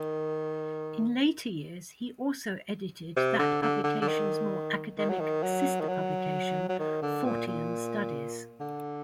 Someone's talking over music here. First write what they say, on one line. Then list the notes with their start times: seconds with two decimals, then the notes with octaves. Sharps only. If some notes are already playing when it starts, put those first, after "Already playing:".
In later years, he also edited that publication's more academic sister-publication "Fortean Studies".
Already playing: D#3
3.16 C3
3.39 D3
3.62 D3
3.84 D3
4.01 D3
4.07 D#3
4.98 D#3
5.09 F#3
5.20 D#3
5.43 F#3
5.80 D#3
5.89 F#3
6.69 F#3
6.79 D#3
7.02 D3
7.25 A#2
7.47 A#2
8.60 D3